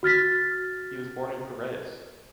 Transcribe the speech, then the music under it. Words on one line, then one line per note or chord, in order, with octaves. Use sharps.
He was born in Piraeus.
F#4 F6 A6 B6